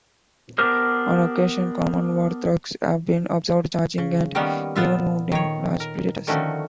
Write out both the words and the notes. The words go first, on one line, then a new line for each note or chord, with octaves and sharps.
On occasion, common warthogs have been observed charging and even wounding large predators.
B3 D4 G4 A#4 C5
C#3
D#3 G3 A#3 B3 C#4
A#2 B3 F4 E5
D#3 C#5
A#4
D3 D#3 F3 A3 C#4 F#4